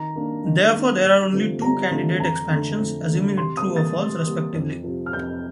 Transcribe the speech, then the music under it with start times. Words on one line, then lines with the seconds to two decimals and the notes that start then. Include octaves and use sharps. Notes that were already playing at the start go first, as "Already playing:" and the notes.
Therefore, there are only two candidate expansions, assuming it true or false, respectively.
Already playing: D#3 A#5
0.16 A#3 D4
0.44 D#3
0.74 A#3 D4
1.03 G2
1.33 D3 A3 C4 F4
1.62 G2 A#5
1.91 D3 A3 C4 F4
2.20 F2 A#5
2.50 D3 A3
2.79 F2
3.08 D3 A3
3.37 C3 C6
3.57 D#6
3.67 G3 A#3
3.76 A6
3.96 C3
4.25 G3 A#3
4.55 F2
4.84 C3 F3
5.06 F6
5.13 F2 G6